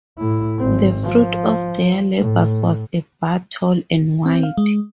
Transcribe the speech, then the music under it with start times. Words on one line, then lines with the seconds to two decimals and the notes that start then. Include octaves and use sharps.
The fruit of their labors was a bar tall and wide.
0.19 A2 E4
0.59 G#1 C4
1.03 F3
2.17 A2
4.26 C4
4.43 F5
4.57 G#3